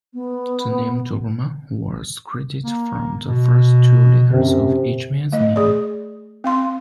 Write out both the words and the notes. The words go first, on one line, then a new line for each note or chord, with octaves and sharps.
The name Dobama was created from the first two letters of each man's name.
B3
A#3
B2
F#2 C3
A3 D#5
G#4 D5
C4 F5 C6